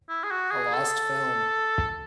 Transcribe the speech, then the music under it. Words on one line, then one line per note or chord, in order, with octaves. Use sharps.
A lost film.
E4
G#4
F#4
G#4
A4